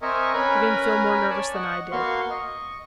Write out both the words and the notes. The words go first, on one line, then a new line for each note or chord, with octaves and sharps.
You didn't feel more nervous than I did.
C4 A#4 D#5 E5 G#5 C#6
C#4 A#4 B4 G#5 A#5 B5
C#5 D5 G#5 A5
D#5 F#5 C#6
A#3 B3 F#4 F5 C6 C#6
D#5 C#6